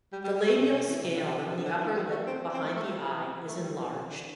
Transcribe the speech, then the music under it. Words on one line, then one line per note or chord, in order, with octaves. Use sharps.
The labial scale on the upper lip behind the eye is enlarged.
G3
G3
G3
A3
C3
C3
E3
C3
D3
C3
D3
C3
D3
E3
G3
A3
C4
C4
A3
A3
G3
E3
E3
A3
G3
E3
C3
D3